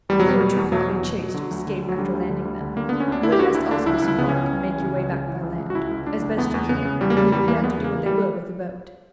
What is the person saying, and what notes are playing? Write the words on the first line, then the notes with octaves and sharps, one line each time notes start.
If you are too hotly chased to escape, after landing them, you had best also disembark; and make your way back by land, as best you can, leaving them to do what they will with the boat.
E2 G3
F#3
B2 G3
B2
E2
B2 F#3
E2
F#3
B2
B2
D3
D2
D3
D2
F#3
D3 G3
D2
D3
D2
D3
D3 A#3
D3 B3
C#4
D2 D4
D3 E4
G4
D3 F#4
D2 E4
D3 D4
C#2 E4
C#2
E4
C#3 B3
C#4
C#2
C#2
E3
C#3
C#2
C#3
E3
C#2
C#2
F#4
C#2 E4
C#2
C#2 D4
C#2
E2 B3
E2
C#3 B3
C#3
E2 G3
A#3
C#3 G3
E2 G3
E3 A#3
E2 B3
C#3
A#3
E3
G3
E3